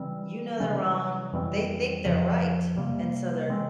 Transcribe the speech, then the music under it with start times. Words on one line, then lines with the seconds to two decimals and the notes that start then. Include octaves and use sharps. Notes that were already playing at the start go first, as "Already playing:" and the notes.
you know they're wrong, they think they're right, and so their
Already playing: C#3 E3 G3 C4
0.60 C3 E3 G3 C#4
1.33 F2 E3 G3 C4
2.05 F2 C#3 F3
2.77 C3 G3 A#3
3.49 E3 G#3 C4